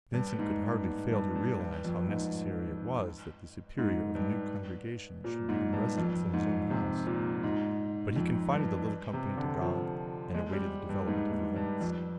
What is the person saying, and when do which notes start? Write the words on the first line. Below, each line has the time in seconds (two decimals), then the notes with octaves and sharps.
Vincent could hardly fail to realize how necessary it was that the superior of a new Congregation should be in residence in his own house, but he confided the little company to God and awaited the development of events.
0.14 G2
0.39 G#2
0.63 G2
0.87 G#2
1.11 G2
1.36 G2
1.60 G2
1.84 F2
2.08 G#2
3.78 G#2
4.15 G2
5.24 A#2
5.49 G#2
5.73 G2
5.97 F2
6.34 G#2
6.70 C3
7.07 A#2
7.43 G#2
8.16 F2
8.52 G2
9.13 C3
9.37 D3
9.62 F3
10.34 G#3
10.53 G3
10.89 G2
11.07 G#2
11.32 G#2
11.56 G2
11.81 F2